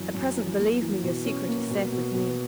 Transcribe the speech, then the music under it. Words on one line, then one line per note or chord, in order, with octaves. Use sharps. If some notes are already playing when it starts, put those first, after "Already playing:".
At present, believe me, your secret is safe with me.
Already playing: F#2 E3
F#2
E3
A#3
E3
B2
C#4
A#3
B2
B2
B2